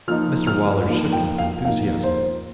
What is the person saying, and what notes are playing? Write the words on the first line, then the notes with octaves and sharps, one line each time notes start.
Mr Waller shook it with enthusiasm.
F3 A#3 D#4 F6
F6
F3 A#3 D#4
G5
F5
F3 A#3 D#4 F5
C5